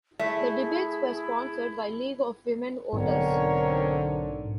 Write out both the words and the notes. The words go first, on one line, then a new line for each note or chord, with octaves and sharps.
The debates were sponsored by League of Women Voters.
A3 E4 G#4 E5
B1 G#2 D3 C4 A#4 C#5